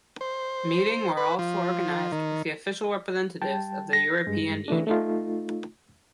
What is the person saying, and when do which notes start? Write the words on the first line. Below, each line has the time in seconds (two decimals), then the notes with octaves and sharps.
Meeting were also organized with the official representatives of the European Union.
0.21 C5
1.17 B4
1.39 F3
2.12 D#3
3.42 G3 G5 A5
3.93 A#6
4.27 G2 G#3
4.68 E3 A3 D4
4.87 A3 D#4 F4